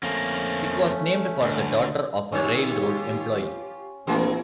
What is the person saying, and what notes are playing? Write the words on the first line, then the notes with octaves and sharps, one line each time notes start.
It was named for the daughter of a railroad employee.
F2 A3 A#3 C#4
D2
D#2 C#4 F4 G4 C#5
A#1 E3 G3 A3 A#3 C4 F#5